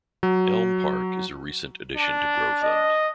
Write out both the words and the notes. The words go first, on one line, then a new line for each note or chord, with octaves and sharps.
Elm Park is a recent addition to Groveland.
F#3
D4
D#5